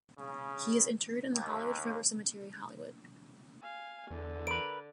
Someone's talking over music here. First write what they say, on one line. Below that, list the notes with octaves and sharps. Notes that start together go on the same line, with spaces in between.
He is interred in the Hollywood Forever Cemetery, Hollywood.
C#3
D#2
F5 G#5
E2 D3
A#4 B4 D7